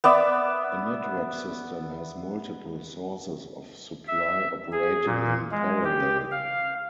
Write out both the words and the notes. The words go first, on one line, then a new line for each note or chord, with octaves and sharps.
A network system has multiple sources of supply operating in parallel.
B3 D5 E5
E5
G#4
A#2
G#3
G4
F5